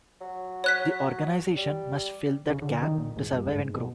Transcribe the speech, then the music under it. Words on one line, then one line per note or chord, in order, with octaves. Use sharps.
The organization must fill that gap to survive and grow.
F#3
C#5 F#6 B6
G3
C#3
D3
D#3
A#2
G#2
G2
G#2
B2